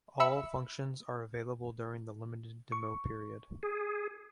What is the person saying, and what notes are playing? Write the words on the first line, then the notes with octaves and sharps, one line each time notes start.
All functions are available during the limited demo period.
E5 B5 E6 C#7
C#6
G#4